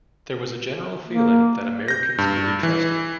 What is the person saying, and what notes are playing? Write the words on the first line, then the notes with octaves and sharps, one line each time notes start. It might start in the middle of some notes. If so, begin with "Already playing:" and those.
There was a general feeling that Americans could be trusted.
A#3
G6 A#6
G2
E3